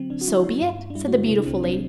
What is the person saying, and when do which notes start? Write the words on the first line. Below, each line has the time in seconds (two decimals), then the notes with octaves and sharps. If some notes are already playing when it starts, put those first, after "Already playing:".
"So be it," said the beautiful lady.
Already playing: D3 F#3 C4
0.10 D3 D4
0.21 F#4
0.28 F#3 E4
0.44 F#3
0.62 G2
0.79 G2
0.90 D4
0.95 G3 E4
1.08 F#4
1.12 D3 E4
1.29 C3 E4
1.38 D4
1.47 C2 C4
1.63 F#3 D4